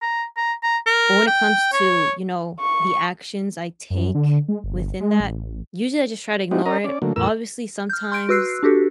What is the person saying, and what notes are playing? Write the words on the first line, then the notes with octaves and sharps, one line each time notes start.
But when it comes to, you know, the actions I take within that, usually I just try to ignore it. Obviously, sometimes,
A#5
A#5
A#5
A#4
G5
C#5
C#6
F#2
D3
G#3
G1
G#3
A1
G#3 C4 D#4 E4 F#4 G4
C#4 A#4 D#5 A#5
C#4 D5
D3 F#3 A3 A#3
E2 A2 A#4 E6
F6 G6
C6 G6 D7
F#4 B4 E6 F#6 C7
D4 F#4 G4 A4